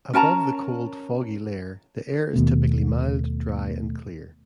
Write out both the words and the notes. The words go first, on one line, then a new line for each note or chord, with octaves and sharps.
Above the cold, foggy layer, the air is typically mild, dry and clear.
C#4 A#4 A5 A#5
D#2 B2 A3